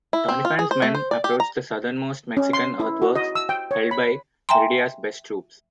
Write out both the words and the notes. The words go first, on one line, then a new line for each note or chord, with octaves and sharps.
Doniphan's men approached the southernmost Mexican earthworks, held by Heredia's best troops.
E4
C4
F4
G#4
C5
A3
C5
D5
G4
A#5
C#4
C6
E4
F#4
D#5
E6
G5
C#5
B5
E5 G5 G#5 A#5 C6